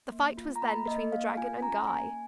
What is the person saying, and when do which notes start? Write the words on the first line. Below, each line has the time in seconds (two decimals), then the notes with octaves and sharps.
The fight was then between the dragon and Guy.
0.12 A#3
0.38 F4
0.56 A#5
0.62 A#3 B5
0.88 A#3 D#5
1.12 A#3 F5
1.37 F4 G#5
1.62 C#4 A#5
1.87 A#3 G#5